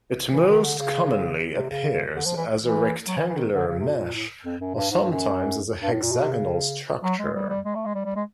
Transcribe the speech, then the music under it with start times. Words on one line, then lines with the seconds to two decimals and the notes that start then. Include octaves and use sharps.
It most commonly appears as a rectangular mesh or sometimes as a hexagonal structure.
0.33 E3
0.48 D#3
0.63 D3
0.78 C#3
1.55 C3
1.70 C#3
2.16 D3
2.26 F3
2.37 E3
2.62 E3
3.08 F#3
3.17 E3
3.27 E3
3.37 D#3
3.54 D3
3.68 C#3
3.79 C3
3.89 B2
3.99 A#2
4.14 A2
4.45 F2
4.60 F#2
4.75 G2
4.91 G#2
5.00 G2
5.11 F#2
5.82 G2
5.92 A2
6.02 A#2
6.12 B2
6.22 C3
6.32 C#3
7.03 F#3
7.19 G#3
7.34 G3
7.49 G3
7.65 G#3
7.75 A3
7.85 G#3
7.95 G3
8.05 G3
8.16 G#3